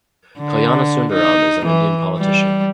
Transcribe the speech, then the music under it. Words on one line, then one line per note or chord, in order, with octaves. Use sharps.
Kalyanasundaram is an Indian politician.
D3
D#4
E3
G3